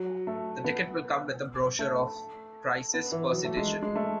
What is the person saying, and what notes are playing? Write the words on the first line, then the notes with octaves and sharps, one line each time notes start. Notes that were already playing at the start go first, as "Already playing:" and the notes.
The ticket will come with a brochure of prices per citation.
Already playing: F#3
A3
B3
A3
B3
E3
F#3
A3
G#3
G#3
A3